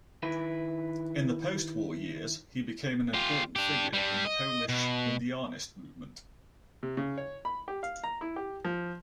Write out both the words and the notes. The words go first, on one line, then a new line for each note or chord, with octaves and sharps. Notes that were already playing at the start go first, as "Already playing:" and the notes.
In the postwar years, he became an important figure in the Polish "indianist" movement.
D#3 E4 B4
F4 G4
D4 G4
G3 D4
D#5
B2
C3
C#3
C#5
B5
G4
F5
A#5
E4
G4
F3